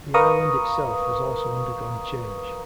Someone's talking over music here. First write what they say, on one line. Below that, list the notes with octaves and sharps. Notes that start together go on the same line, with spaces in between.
The Island itself has also undergone change.
A#4 B4 F5 A#5 C#6 D#6